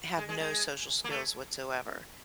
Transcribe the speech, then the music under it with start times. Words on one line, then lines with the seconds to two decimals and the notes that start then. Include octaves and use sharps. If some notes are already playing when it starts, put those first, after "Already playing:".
have no social skills whatsoever,
0.18 G#3
0.29 G#3
0.40 G#3
1.04 A#3
1.10 A3